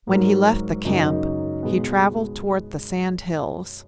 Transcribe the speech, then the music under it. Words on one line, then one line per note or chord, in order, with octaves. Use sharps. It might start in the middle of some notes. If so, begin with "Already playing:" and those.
When he left the camp, he travelled toward the Sand Hills.
G#2 F#3 A#3
F#2 C#3 F#3 A#3 D#4
B2 G#3 B3